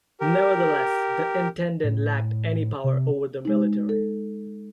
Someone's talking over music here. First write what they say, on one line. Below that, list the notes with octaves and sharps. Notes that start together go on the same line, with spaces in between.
Nevertheless, the intendant lacked any power over the military.
G4 A#4
A2
C3
G#3 D#4
A4